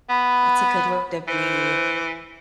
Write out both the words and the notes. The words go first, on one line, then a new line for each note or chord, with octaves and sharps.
that's a good way to be,
B3 B5
E3 C5